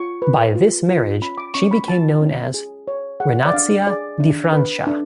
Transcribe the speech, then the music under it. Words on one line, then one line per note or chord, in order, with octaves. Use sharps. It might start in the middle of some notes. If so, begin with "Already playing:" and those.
By this marriage, she became known as "Renatia di Francia".
Already playing: F4 C#6
B4
F4
F4
C#4 B5
D6
C#4 C#6
B5
F4 A5
C#4
G#4
C#5
G#4 F#5
D5
D4 F5
G#4 D5
D4
B4
D4